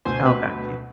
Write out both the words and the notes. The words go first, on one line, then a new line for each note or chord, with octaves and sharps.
Oh, got you.
D2 B2 C5 G#5 C6
B4